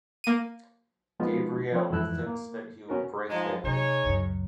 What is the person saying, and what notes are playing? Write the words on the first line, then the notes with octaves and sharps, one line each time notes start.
Gabrielle thinks that he would break down.
A#3 D#7
F3 G#3 B3 C4 D#4 F4
F3 C4
F2 G#2 E3 E4 E6 F#6
A#3
B3 C#4 F#4 A#4
G#2 F3 G#3
C3 D#4 G#4 C#5
C#2 F#2